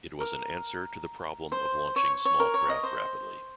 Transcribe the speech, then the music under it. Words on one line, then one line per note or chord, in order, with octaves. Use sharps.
It was an answer to the problem of launching small craft rapidly.
A#4
C5
C#5
C#5
A#4
C#5
D#5
C5